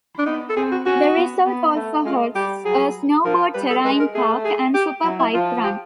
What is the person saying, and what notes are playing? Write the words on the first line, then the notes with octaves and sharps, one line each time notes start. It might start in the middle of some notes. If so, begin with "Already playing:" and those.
The resort also hosts a snowboard Terrain Park and Super Pipe run.
D4
B3 D#4
A4
C4 G#4
F#4
C#4 F#4
B3
B3
A3
G#3 F4
G3 G4
F#3 G#4
F3 A#4
G3 B4
A4
G#3 B4
A#4
A3 G#4
G#4
G4
F#3 E4
E4
F3 F4
G4